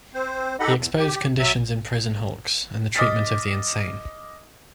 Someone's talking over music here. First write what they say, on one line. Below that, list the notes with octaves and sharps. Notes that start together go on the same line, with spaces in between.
He exposed conditions in prison hulks and the treatment of the insane.
C4 C5
D#4 G4 A4 D#5 F#5 B5
E2
G4
F#3 E5
D#5 D6 D#6 F6 A6 B6